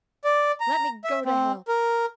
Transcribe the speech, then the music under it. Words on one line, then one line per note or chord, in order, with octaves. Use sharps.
Let me go to hell!
D5
A#5
E5
C4
A#4